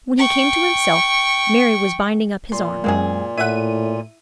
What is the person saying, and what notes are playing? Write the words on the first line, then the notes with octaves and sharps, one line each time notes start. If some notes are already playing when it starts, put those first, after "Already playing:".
When he came to himself, Mary was binding up his arm.
G5 C#6
A#2 C6
F#2 G#3 A#3 C4 G#4
A2 E4 E5 F#5 D#7